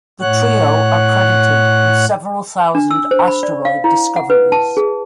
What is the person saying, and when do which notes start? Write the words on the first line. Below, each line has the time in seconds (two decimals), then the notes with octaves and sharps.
The trio are credited with several thousand asteroid discoveries.
0.21 A2 C#5 F#5 F#6
2.75 D4
2.91 E6
3.11 C5
3.28 B5
3.43 D5
3.65 F5
3.84 E4
4.16 F#5
4.30 B4
4.52 A5
4.77 G#4